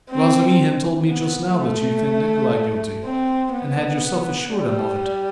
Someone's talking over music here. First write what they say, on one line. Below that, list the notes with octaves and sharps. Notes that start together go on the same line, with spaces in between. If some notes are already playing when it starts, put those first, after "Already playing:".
"Razumihin told me just now that you think Nikolay guilty and had yourself assured him of it...."
C4
B3
A3
C4
B3
G3